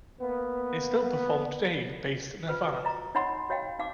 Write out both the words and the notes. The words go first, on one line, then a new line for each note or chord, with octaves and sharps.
They still perform today, based in Havana.
A#3 B3
F4 B4
F#4
D#5 A#5
D#4 C#5 D#5 F#5 B5 C6
F#4 C#5 D#5 F5 G5
D#4 F5 D6